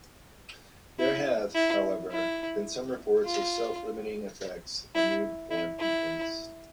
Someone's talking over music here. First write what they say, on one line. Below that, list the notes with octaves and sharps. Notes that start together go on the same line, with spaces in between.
There have, however, been some reports of self-limiting effects on newborn infants.
E4
E4
E4
F4
E4
E4
E4